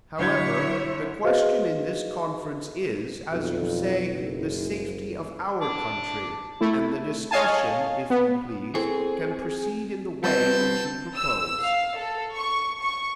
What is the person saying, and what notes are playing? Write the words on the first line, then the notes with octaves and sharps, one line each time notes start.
However, the question in this conference is, as you say, the safety of our country; and the discussion, if you please, can proceed in the way which you propose.
D3 F#3 E4 C#5 G6 G#6
F#4 G#4 B4 C5 D#5 F5
B1 F2
F#1
A5 D6
A3 E4
C#5 D#5 F5 G#5 A5
B3
C4 E4 G#4 A4
G3 B3 C4 F4 D#5 A5 E6 G6
E6
F5
A4
C#6
C#6